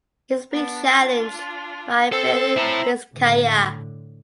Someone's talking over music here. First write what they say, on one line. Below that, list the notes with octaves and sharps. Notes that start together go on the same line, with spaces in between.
He is being challenged by Fiel Vizcaya.
B3 D4
D4 F4
C4 A4
E4 E5 A5 A#5 C6
A2 D3